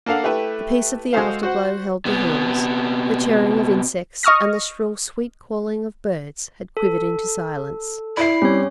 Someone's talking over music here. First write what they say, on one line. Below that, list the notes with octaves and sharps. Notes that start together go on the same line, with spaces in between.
The peace of the after-glow held the hills, the chirring of insects and the shrill sweet calling of birds had quivered into silence.
A#3 D4 A4 F5 F#5
A3 E4 G4 B4 E5
G#3 F#4 G#4 A4 C5 F5
F#4 C5 F#5
C3 B3
D#5 C#6 D#6 F6 A#6
A4
E4 D5 E5 B5 C7
G3 C4 C#4 C#5